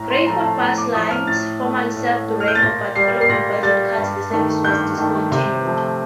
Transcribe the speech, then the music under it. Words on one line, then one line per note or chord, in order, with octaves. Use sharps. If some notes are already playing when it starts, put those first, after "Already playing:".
Greyhound Bus Lines formerly served Durango, but following budget cuts the service was discontinued.
Already playing: A2 A#5
C6
F3 A3 A#5
A5
A2 A#5
D6
F3 A3 D#6
F6
A2 A6
A3
A2
A3
F6
G6
A6
A#2 A#6
G3 C7
C7
A#2 A#6
G3 A6
G2
D#3 A3
G2 G6
D#3 A3
C3
F3 A3